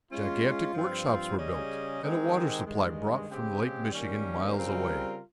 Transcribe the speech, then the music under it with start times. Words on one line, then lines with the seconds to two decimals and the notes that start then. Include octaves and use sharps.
Gigantic work-shops were built, and a water supply brought from Lake Michigan, miles away.
0.10 G#3 C#4 F4
0.73 G2 F3 C4 F4
1.37 C#3 G3 C#4 G#4 D#5
2.01 D#3 G#3 C4 D#4 G4
2.65 G2 D#3 G#3
3.28 C#3 G#3 C4 G4
3.92 D#3 G3 A#3 C#4
4.56 C#3 G3 C4 F4 A#4